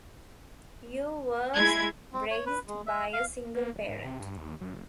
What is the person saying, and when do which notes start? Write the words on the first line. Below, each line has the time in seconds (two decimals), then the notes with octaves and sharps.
Yoo was raised by a single parent.
1.56 G#3 E4 G#6
2.13 C4
2.31 C#5
2.46 B4
2.68 G#3
2.86 E5
3.13 F5
3.55 A#3
3.74 D1
3.89 G#2
4.04 C3
4.20 G2
4.37 D#2
4.61 F#2
4.74 F1